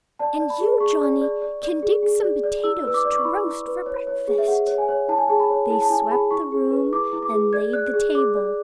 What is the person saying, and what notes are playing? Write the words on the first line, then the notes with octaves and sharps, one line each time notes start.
"And you, Johnny, can dig some potatoes to roast for breakfast." They swept the room and laid the table.
D5 A5
D5
B5
G#4
G#4 C#6
D5
D5
D5
D5
G#4
G#4
D5
D5
E4 E6
B4 E6
D6
D5
D6
C#6
E4 B5
E4
B4
C#5
C#5
G#4
E5
G#4 F#5
C#5
G#5
C#5
E4 A5
G#5
G#4 A5
B5
C#5
E4 A5
A5
E4 G#5
G#4 B5
E4 C#6
G#4
B4
E4 D6
E4
D6
G#4
D5 G#6
D5 F#6
G#4
G#4 D6
D5